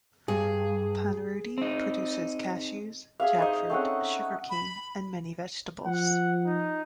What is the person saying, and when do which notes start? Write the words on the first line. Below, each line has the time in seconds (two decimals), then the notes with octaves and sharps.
Panruti produces cashews, jackfruit, sugar cane and many vegetables.
0.28 G2 G#4
1.58 C4 D#4
3.20 G#4 E5 F5
3.39 D#4 C5 D#5
3.70 A3 C4 C#4 F#5
4.49 B5
5.86 F3 F#5
6.46 D#4